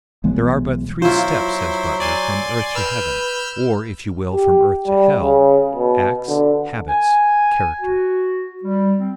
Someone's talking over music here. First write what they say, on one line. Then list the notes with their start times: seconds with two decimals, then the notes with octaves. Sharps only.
There are but three steps, says Butler, from earth to heaven, or, if you will, from earth to hell--acts, habits, character.
0.24 B1 E3 G#3 B3
1.02 F#3 E4 F4 C5
2.00 D5 G#5 C6
2.75 B4 E6 F6 G6
4.32 G4
4.87 G3
5.22 C#3
5.75 B2
6.28 D3
6.89 G#5
7.81 F#4
8.64 G3
8.99 C4